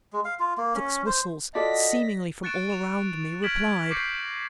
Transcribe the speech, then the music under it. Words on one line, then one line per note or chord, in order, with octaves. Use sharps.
Six whistles--seemingly from all around me--replied!
G#3
F5
F4
A#3
C#4
C5
F4 F#4 A4 D5 D#5 A#6 B6
C#6 F#6 A6 C#7 D7 E7
E7 F7
F6 G#6 B6 D7 E7 F#7
C#6 D6 G6 A#6 C7 C#7